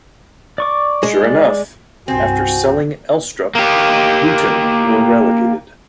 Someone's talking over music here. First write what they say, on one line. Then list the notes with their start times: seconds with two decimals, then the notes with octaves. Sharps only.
Sure enough, after selling Elstrup, Luton were relegated.
0.58 D5 C#6 D6
1.03 G#3
1.23 D5
2.08 G1 C2 C4 F#4 G#5
3.55 A#3 G4